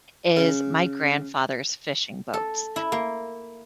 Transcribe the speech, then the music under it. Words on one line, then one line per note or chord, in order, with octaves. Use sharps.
is my grandfather's fishing boat.
C#3
A4
E4
A#3